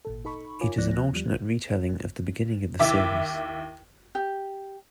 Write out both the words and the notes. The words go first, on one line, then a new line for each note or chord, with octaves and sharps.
It is an alternate retelling of the beginning of the series.
G#1 A#2 A4
D#4 A4 B5 C#6
F4 A#4 C#5 G#5 D6
D2 F3 B3 D5 F#6 A#6
E2 F3 G3
D#2 E4 E5 D6
G4